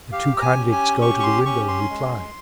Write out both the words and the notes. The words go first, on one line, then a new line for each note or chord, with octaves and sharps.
The two convicts go to the window and reply.
G4 F5
A#5
G#5
C#4
G#5
G4 C#6
C#6
C6
C#4 C#6
C6
G#3